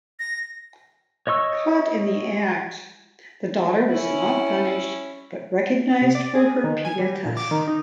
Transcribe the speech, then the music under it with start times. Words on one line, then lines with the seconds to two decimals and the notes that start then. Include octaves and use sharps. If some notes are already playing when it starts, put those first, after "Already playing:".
Caught in the act, the daughter was not punished, but recognized for her "pietas".
0.20 A#6
1.27 C#5 D#5 C#6 E6
3.91 C#4 E4
6.01 C3
6.15 D5
6.35 G#4
6.64 D#3
6.85 G#5
6.99 G3
7.25 A#2
7.37 D6
7.51 D#3
7.67 D#4